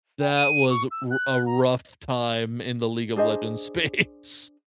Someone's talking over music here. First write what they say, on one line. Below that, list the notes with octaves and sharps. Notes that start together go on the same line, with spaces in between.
That was a r a rough time in the League of Legends space.
G5
D#7
C#6
E6
F#6
A#5
D4 G#4 C5 D#5